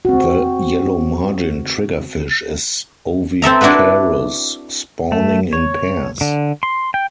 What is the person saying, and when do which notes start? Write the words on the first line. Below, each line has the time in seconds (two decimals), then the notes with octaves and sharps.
The yellowmargin triggerfish is oviparous, spawning in pairs.
0.05 C4 F#4
3.42 C4 A4 E5 A#5
3.61 D4 E4 F#4 A4 B4
5.12 A3
5.53 C#5
6.21 D3
6.63 C6
6.94 G5